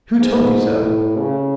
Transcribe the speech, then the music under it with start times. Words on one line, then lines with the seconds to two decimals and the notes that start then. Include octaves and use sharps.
"Who told you so?"
0.19 G#2
0.67 A2
1.18 C#3